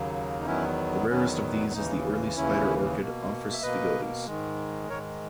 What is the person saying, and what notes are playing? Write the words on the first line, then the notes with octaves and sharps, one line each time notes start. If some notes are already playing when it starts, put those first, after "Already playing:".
The rarest of these is the early spider orchid "Ophrys sphegodes".
Already playing: D#2 C#3 F#3 A#3
D#4
E2 D#3 F#3 B3 C#4 E4
E2 D#3 F#3 B3 C#4
D#2 C#3 E3 D#4
D#2 C#3 E3 C#4 E4
B2 A#3
E5
B2 A#3 B4 D#5
G#2 D#3 G#3
G#2 D#3 G#3 A#4 C#5